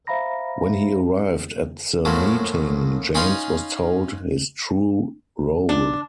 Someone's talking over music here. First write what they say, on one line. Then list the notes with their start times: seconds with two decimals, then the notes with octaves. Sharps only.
When he arrived at the meeting, James was told his true role.
0.07 C5 E5 F5 A#5 B5 A#6
2.05 F#2 A2 F3 F#3
3.15 C#4 D#4 F4 G#5 B5 C6
5.69 D4